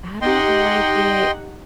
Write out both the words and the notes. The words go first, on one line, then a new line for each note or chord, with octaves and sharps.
I don't like it
D#4 G4 D#5 F#5 G5 C6